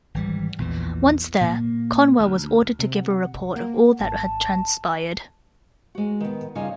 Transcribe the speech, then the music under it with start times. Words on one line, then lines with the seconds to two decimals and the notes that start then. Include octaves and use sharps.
Once there, Conwell was ordered to give a report of all that had transpired.
0.14 G#1 E3 G3
0.58 A#1 E2 A#2 E3
1.41 A#2 A#3
2.19 D2
2.79 C3
2.93 F#5
3.56 A#3
4.00 G#1 A5
5.95 G#3 F#4
6.20 D#3 B3
6.55 G2 C#3 D#4 F4 D#5 G#5